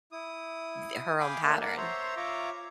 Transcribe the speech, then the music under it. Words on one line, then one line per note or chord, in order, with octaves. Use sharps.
the her own pattern
E4 D#6
F5 G5 G#5 B5 D6 D#6
A3 A#3 D4 E6
A#4 D5 F#5
C5 C#5 E5 A#5 C6
F4 C#5 E5 A#5 D6